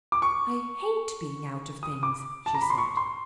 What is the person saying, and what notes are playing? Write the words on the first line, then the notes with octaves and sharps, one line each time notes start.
"I hate being out of things," she said.
D6
C#6
D#6
D6
A5
A#5
B5
C6
C#6
C6